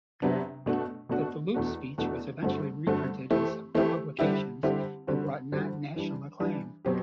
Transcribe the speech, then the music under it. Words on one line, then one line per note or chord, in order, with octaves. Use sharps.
The Duluth speech was eventually reprinted in several publications and brought Knott national acclaim.
C3 F#3 B3 D4
B2 A3 D4 F#4
B2 A3 D4 F#4
E2 B2 A3 D4 F#4
E2 B2 A3 D4 F#4
G2 D3 A3 C4 F#4
G2 D3 A3 C4 F#4
E3 A3 C4 E4 G4
E3 A3 C4 E4 G4
D3 G3 C4 E4 G4
D3 G3 C4 E4 G4
D3 G3 C4 F#4
D3 G3 C4 F#4
E3 G3 D4
E3 G3 D4
B2 F#3 C4 G4